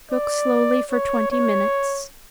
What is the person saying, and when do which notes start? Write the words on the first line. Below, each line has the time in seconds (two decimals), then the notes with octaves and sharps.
Cook slowly for twenty minutes.
0.11 D5
0.91 C#5
1.32 C#5